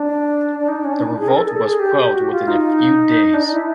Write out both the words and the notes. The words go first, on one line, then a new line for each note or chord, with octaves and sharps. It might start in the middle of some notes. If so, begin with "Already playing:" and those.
The revolt was quelled within a few days.
Already playing: D4
D4
D#4
D4
C#4
D4
D#4
E4
G#4
A#4
A4
G#4
A4
G#4
G4
G4
F#4
F4
D#4
D4
E4